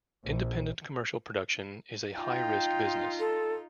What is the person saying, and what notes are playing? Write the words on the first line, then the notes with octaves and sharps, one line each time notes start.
Independent commercial production is a high risk business.
A#1
D#4 F4 G5
A4